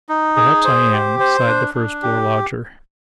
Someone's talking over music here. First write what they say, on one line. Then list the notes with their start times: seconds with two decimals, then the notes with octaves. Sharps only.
Perhaps I am,' sighed the first-floor lodger.
0.09 D#4
0.36 G#4
0.64 C5
0.93 G4
1.20 C5
1.47 D4
1.74 D4
2.03 G4